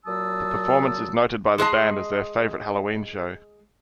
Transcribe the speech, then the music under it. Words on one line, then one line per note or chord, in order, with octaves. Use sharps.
The performance is noted by the band as their favorite Halloween show.
A#2 F#3 F#4 A5 D#6 E6
G#3 G#4 D#5 A5